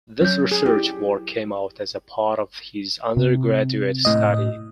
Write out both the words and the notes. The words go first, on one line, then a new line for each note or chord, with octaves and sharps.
This research work came out as a part of his undergraduate study.
F#3 C#4 G6
G#4
E4 G4
C3
A2 D#5